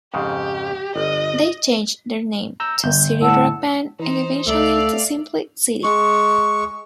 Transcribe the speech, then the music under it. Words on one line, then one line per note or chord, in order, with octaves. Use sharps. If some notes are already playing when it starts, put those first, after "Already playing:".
They changed their name to City Rock Band and eventually to simply City.
F2 G#2 C#3 G4
G1 D#5
A#5 E6 G6
G1 G6
A2 F#5 A5 E6
E3 D#4 C5
C#2 A3 D5 E5 F5
G#3 C#6